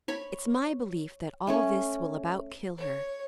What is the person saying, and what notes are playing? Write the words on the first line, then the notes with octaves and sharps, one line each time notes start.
It's my belief that all this will about kill her.
C#5 B5
A3 C#4 C#5
C#5